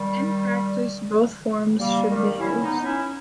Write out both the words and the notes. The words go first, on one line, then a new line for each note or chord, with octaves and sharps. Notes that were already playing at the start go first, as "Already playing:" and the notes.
In practice, both forms should be used.
Already playing: D#3 G3
G3 A#3
D#3 G3
C#4 E4
B3 D#4
D#4
C#4 E4